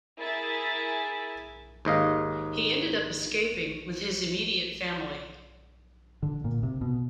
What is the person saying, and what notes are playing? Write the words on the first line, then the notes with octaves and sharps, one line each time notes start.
He ended up escaping with his immediate family.
E4 G#4 A#4 E5 A6
D#2 G#2 D#5 F5
D3
A#2
C3
B2